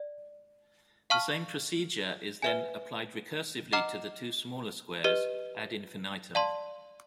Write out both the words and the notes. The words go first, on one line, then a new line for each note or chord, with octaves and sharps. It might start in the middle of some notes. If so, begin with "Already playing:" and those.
The same procedure is then applied recursively to the two smaller squares, "ad infinitum".
Already playing: D5
F5 A5 C#6 F6
B4 E5 G#5
D#5 F#5 A#5 D6 F6
G4 B4 D#5
D5 F5 A5 C6